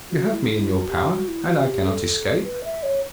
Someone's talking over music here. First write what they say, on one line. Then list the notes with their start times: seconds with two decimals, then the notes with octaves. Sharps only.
'You have me in your power, and I cannot escape.
0.11 F#4
0.31 E4
0.50 E4
0.69 F#4
0.89 G4
1.08 F#4
1.28 E4
1.47 F#4
1.66 G4
1.86 A4
2.44 B4
2.64 E5
2.83 C#5